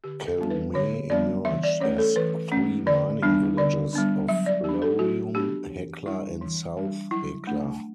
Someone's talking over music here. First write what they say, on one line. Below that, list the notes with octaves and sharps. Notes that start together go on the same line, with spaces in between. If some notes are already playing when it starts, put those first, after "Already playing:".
Calumet emerged as three mining villages of Laurium, Hecla and South Hecla.
D3 G4
A4
G3 B3 D4
B4
D3 C#5
G3 B3 D4 D5
E3 E5
D5
A3 C#4 C#5
A4
E3 B4
A3 C#4
D3 D5
G3 B3 D4
D3 D5
G3 B3 D4
F#3 E5
D5
B3 D4 G4
A4
F#3 F#4
B3 D4 G4
E3
G3 D4 E4
E3
G3 D4
F#3 E4
A3 D4